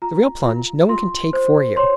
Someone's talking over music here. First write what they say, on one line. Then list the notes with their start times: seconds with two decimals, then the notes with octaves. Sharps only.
The real plunge no one can take for you.
0.02 F4 A#5
0.46 F4
0.89 F4 C6
1.33 C5
1.77 C#5 C6